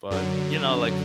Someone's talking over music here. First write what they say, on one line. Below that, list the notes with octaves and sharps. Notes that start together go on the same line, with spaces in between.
But, you know, like,
F#2 D3 F#3